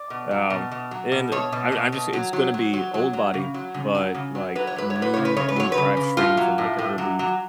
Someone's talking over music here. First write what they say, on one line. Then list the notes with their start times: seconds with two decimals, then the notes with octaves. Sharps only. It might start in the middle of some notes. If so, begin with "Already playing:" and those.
Um, and I'm I'm just it's gonna be old body, but, like, new new drivetrain from, like, a early,
Already playing: D5
0.10 B2
0.31 F#3
0.50 B2
0.71 B2
0.91 F#3
1.12 B2
1.32 B2 C#5
1.52 B2
1.72 B2
1.92 B2
2.13 F#3
2.33 F#3
2.54 F#3
2.73 F#3
2.94 F#3
3.13 F#3
3.34 C#3
3.54 F#3
3.74 C#3
3.95 F#3
4.15 C#3
4.35 F#3
4.55 F#3 B4
4.67 C#5
4.76 F#3 B4
4.90 C#5
4.96 F#3
5.02 B4
5.14 C#3 C#5
5.25 B4
5.37 C#3 C#5
5.48 B4
5.56 F#3 C#5
5.72 B4
5.78 C#3
5.97 C#3
6.17 A2 F4
6.37 F#3
6.58 A2
6.78 A2
6.98 F#3
7.19 F#3